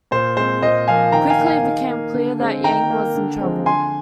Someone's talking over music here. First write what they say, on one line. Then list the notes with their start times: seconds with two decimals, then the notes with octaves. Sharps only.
Quickly, it became clear that Yang was in trouble.
0.11 A#2 C5
0.37 G#3 C4 C5
0.62 A#2 C5 D#5
0.88 F3 A#3 F5 G#5
1.12 D#3 G5 A#5
1.30 F5 G#5
1.39 A#3
1.46 F5 G#5
1.63 D#3
1.89 A#3
2.14 D3
2.40 G#3 C4
2.64 D#3 G5 A#5
2.90 A#3
3.15 D3
3.41 F3 G#3 C4
3.66 D3 G#5 C6